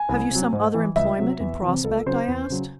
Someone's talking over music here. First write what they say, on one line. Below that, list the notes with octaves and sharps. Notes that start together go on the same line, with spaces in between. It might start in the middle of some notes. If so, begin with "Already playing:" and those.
"Have you some other employment in prospect?" I asked.
Already playing: G#5
C2
C3 F#3
G#2
E3
C#2 E5
C3 F#3
E2
E3
C3
C#2 A4
C#3 F#3 C5
E2
C#3 F#3